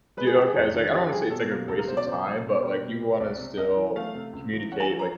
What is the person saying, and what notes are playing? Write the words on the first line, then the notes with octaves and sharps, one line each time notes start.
Do you? Okay, I was like I don't wanna say it's like a waste of time, but, like, you wanna still communicate. Like,
G#3 B4
G#4
C3 G4
G#4
F2
D#3
C#4 G4
G3 G#4
B2 A4
A#3
C#2 A4
A#4
B2 C5
D5
C#2 C5
F#3
B2
G3
B2
B3
C2 D5
C3
C2 D#5
E3
A3 F5
C3
C#2
E3
C#4 F#5
G#5
F3
A#5